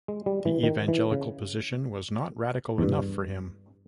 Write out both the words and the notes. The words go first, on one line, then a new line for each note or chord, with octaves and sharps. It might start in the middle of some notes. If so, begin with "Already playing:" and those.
The evangelical position was not radical enough for him.
G#3
G3
E3
D#3
E3
C#3
E2
G2